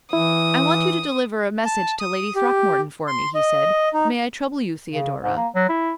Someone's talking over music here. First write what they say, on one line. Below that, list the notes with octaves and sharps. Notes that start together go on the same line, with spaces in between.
"I want you to deliver a message to Lady Throckmorton for me," he said. "May I trouble you, Theodora?"
E3 E4 D#6
A5
D#6
G4
C6
D#5
D#4
C#3
G#2
A#3
F#3
E4